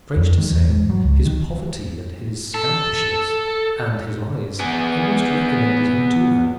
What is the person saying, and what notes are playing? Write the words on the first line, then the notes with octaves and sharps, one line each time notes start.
Strange to say, his poverty and his scampishness and his lies almost recommended him to her.
F2
D#3
E2
G#2
F#3
C#2
D#3
A4
B3 G#4